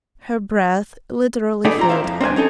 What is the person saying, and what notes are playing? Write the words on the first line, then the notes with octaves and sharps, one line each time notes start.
Her breath literally failed her.
A2 D#4 E4 G#4 A4 D5
E4 F4 A#5
E4 C5 E5 F5
F2
C4 D4 B4 G#5
C#4 D#4 A4 G#5